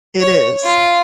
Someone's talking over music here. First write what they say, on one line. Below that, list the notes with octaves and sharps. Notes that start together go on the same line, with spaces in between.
It is.
C#5
F4